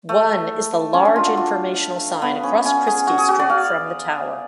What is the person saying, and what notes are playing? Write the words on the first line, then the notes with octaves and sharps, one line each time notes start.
One is the large informational sign across Christie Street from the tower.
A3
C#4
D4
F4
F#4
F4
B3
C#4
C#4
G#4
F#4
G#4
F#4
D5
F5